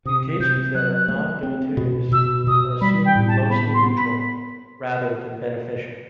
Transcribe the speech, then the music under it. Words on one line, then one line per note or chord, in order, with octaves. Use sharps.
Mutations that are not deleterious are assumed to be mostly neutral rather than beneficial.
C3 D#6
C3 G6
F#3 F#6
A3
C4
B2
B2 E6
B2 D#6
G3 B5
G5
A2
A5
B3 B5
C6
B3
B5